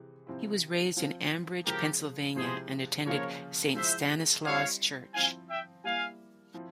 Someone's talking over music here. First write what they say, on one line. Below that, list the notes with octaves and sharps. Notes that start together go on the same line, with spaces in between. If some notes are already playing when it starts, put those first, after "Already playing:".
He was raised in Ambridge, Pennsylvania and attended St. Stanislaus Church.
Already playing: C3 E3 G#3
C3 F3 C4 E4
F3 C4 F4
C#3 F3 G#3 G4 A#4
C3 F3 G#3 E4 G#4 C5
C#3 F3 A#3 C#4 F4 A#4 C#5
F3 G#3 E4 C5 E5
G3 C4 E4 C#5 F5
F3 C4 E4 F5 G#5
E5 G5
G3 A#3 E4 F5 G#5
F3 C4 E4